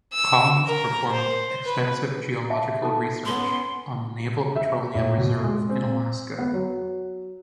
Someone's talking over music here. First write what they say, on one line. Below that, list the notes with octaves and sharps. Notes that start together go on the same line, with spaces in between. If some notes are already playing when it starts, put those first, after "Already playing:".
Collins performed extensive geological research on the Naval Petroleum Reserve in Alaska.
E6
A#4
C5
B4
E5 F5 A5
D#4 A4 A5
B3 C#4 C6
E5
A2
B2
G#3
C4
B3
F#3